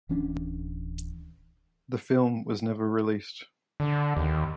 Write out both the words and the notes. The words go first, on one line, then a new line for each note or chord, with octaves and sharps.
The film was never released.
D1 E3 C#4 D4
D3
D#2